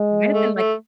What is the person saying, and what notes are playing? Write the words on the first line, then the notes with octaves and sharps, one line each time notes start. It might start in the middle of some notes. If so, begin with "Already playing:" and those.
It might've been, like
Already playing: G#3
A3
A3